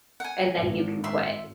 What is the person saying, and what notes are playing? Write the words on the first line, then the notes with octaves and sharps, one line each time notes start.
and then you can quit."
F#5 G#5
G#1
E5 C6